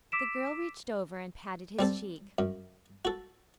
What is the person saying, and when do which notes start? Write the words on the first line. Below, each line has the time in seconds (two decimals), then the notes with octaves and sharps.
The girl reached over and patted his cheek.
0.12 D6 E6 B6 D7 E7
1.79 G3 C4 A4
2.38 F#2
3.05 F#4 A4